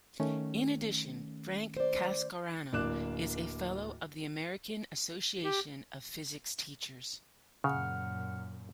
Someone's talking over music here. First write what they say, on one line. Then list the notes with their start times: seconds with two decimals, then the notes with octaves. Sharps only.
In addition, Frank Cascarano is a Fellow of the American Association of Physics Teachers.
0.20 D#3 A3 C#4
1.77 C5 D5
2.73 D1 A#3 D4 D6 F#6 E7
5.45 G4
7.64 F#2 A#2 C#3 F#5 F6